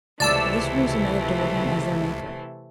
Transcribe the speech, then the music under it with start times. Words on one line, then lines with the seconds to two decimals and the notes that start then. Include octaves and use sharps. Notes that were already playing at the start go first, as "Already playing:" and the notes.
For this reason they adored him as their maker.
0.20 C#2 C3 E3 A3 D5 A5 E6